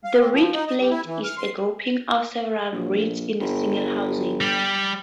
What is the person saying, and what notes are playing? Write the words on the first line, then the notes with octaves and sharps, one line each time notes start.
The reed plate is a grouping of several reeds in a single housing.
F5
C4
F3
D#4
D#5
G3
E4
E3
F6
C6
A#1
G1
G3 G4